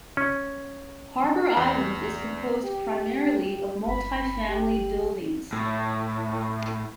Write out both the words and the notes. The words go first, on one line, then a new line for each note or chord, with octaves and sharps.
Harbor Island is composed primarily of multi-family buildings.
C#4
E2
G4
G1 B5
G4
A2